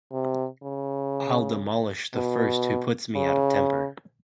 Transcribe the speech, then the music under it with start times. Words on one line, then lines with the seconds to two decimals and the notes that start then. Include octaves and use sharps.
I’ll demolish the first who puts me out of temper!
0.12 C3
0.63 C#3
2.15 B2
3.16 C#3